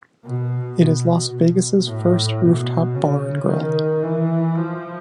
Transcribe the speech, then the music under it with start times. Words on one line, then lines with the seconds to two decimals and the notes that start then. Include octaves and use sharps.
It is Las Vegas' first rooftop bar and grill.
0.24 B2
0.79 B2
1.33 B2
1.87 A2
2.41 B2
2.95 C#3
3.49 D#3
4.03 E3
4.57 F3